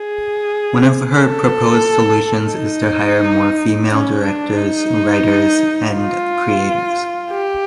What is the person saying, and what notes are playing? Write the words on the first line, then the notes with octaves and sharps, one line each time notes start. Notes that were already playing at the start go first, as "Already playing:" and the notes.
One of her proposed solutions is to hire more female directors, writers, and creators.
Already playing: G#4
A4
D#4
C#4
D4
D#4
F4
G4